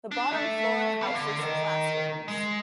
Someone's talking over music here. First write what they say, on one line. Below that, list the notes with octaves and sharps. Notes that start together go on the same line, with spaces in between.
The bottom floor houses classrooms.
D4
A4 E5
B3 F5
D3
A#4 D#5
G#3